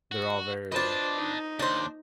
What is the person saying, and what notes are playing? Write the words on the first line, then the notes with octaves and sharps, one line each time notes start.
They're all very
F#4
D4 F4 B4 C5 D#5 A5
D#4
D#2 D4 C5